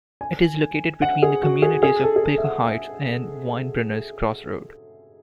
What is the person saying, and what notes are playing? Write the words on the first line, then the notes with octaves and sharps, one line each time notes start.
It is located between the communities of Baker Heights and Winebrenners Crossroad.
G#5
F#5
G#4
F#4
G#4
G#4
A4
G#4
A4
E5
F#5
E5